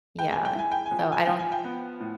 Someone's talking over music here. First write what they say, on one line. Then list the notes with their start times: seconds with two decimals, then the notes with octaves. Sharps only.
Yeah. So I don't
0.19 G#3 G5
0.32 G#5
0.45 G5
0.55 E4 G#5
0.71 G5
0.86 G#5
0.91 F3
0.99 G5
1.12 G#5
1.25 F3 G5
1.39 G#5
1.52 G5
1.64 B3
2.00 A2